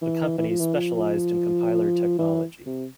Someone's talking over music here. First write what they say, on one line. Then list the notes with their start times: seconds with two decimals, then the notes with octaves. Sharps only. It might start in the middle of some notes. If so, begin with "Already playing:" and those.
The company specialized in compiler technology.
0.02 E3
0.38 E3
0.49 F3
0.60 E3
0.74 F3
2.18 E3
2.66 C3